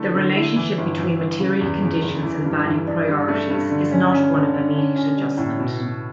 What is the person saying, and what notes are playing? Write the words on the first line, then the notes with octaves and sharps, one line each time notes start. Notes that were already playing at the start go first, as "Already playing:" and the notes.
The relationship between material conditions and value priorities is not one of immediate adjustment.
Already playing: D3 A3 E4
D3
E4
E3
G1
E3
G1
C#3
E2
E2
F#1
E3
G2
E3
D4
G2
A3
G2
D3
C#4
C#4
D3
D3
C#4
C#4
G3
A2
B2
B2